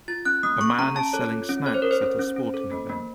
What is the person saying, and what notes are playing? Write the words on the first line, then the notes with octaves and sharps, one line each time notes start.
A man is selling snacks at a sporting event.
F4 A6
C#4 F#6
A#3 D#6
A4 C#6
C#4 A#5
C#4 A5
A4 C#5
F4
C#4
A4 C#5
C5
A4 A#4
C5
C#4
C#4
C#4
A4
A#3
A#3